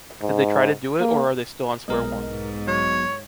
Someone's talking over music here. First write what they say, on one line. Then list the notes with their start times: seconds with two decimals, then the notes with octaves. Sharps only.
Did they try to do it or are they still on square one?
0.21 G#2
1.00 A#3
1.88 B1 G#3 B3 A#4 D#5
2.28 G#2
2.68 F#3 C#5